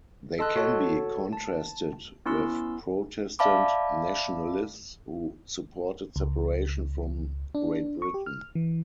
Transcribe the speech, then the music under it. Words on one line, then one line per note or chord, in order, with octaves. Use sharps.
They can be contrasted with Protestant nationalists, who supported separation from Great Britain.
A4 D#5 A5 C6 E6 F#6
F#4 A4 C#5 F#5 A5
A5
B3 C#4 E4 C6 E6
D5 E5 F5 A5 B5 D6
C#2
D4
C#6
G4
F6
E3